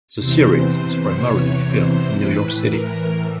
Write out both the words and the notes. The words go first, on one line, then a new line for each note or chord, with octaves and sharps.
The series is primarily filmed in New York City.
E2 C3 E3 C5
C5
C#5
C5
A2 E3 B4
A#4